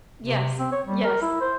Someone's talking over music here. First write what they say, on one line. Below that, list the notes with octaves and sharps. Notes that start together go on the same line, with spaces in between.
Yes, yes.
C3
C4
C#5
G3
A#4
E4
C5